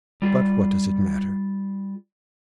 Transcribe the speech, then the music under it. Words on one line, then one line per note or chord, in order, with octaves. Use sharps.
But what does it matter?
G3 F4 G#4